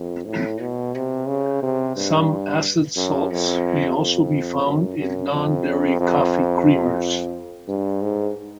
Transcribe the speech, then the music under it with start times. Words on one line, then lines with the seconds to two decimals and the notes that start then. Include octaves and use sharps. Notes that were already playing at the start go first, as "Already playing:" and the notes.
Some acid salts may also be found in non-dairy coffee creamers.
Already playing: F2
0.26 A2
0.61 B2
0.95 C3
1.28 C#3
1.62 C3
1.96 G2
2.97 F#2
3.31 F2
3.98 F2
4.65 F#2
4.98 F#2
5.33 F2
6.00 F2
7.68 G2
8.02 G#2